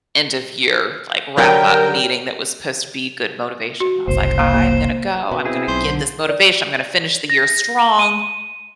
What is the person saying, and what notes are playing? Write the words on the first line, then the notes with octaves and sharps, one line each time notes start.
end of year, like, wrap up meeting that was supposed to be good motivation. I was like, "I'm gonna go, I'm gonna get this motivation, I'm gonna finish the year strong"
D3 F#3 G3 A#4 G5
F#4
F#1 C2 C5
A#3
A#3
B2
C4 E4 G#4
B1 C5
D3
D5
A#6
D#7